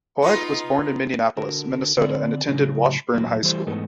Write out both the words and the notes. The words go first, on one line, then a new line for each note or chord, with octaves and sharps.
Hoag was born in Minneapolis, Minnesota, and attended Washburn High School.
B3 D#4 F4
D3 F#4 A#4
D3 C4 D5
A2 C#3 F#3
E2 A#2 F#3
E3 G3 A3 E4 C5
G#2 E3 A3 B3 D#4